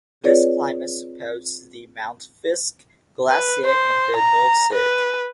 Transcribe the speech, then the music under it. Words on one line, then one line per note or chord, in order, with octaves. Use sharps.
This climate supports the Mount Fiske Glacier in the north cirque.
C4 F4 G#4 B4 C#5 D5
B4
C5
A#5
B4